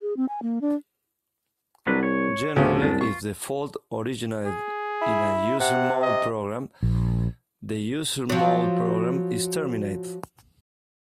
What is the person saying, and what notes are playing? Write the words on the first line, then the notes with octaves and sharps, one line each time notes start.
Generally, if the fault originated in a user-mode program, the user-mode program is terminated.
G#4
C4
G#5
A#3
D4
C2 F#3 D4 B4
C#5
D2 A2 C#3 F3 B3 C#4
C2 F#2 D4
F4 C#6
G#4
E4
C3 F#5
D#5
A#1
F3 F#3